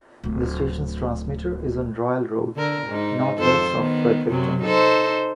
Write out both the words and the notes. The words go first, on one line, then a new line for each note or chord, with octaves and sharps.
The station's transmitter is on Royal Road, northwest of Fredericton.
D1 A3
D3 A#4
G#2 D#4
F2 A4 C5
D#3 B3
F#2 C3 F#3
D#4 A4 C5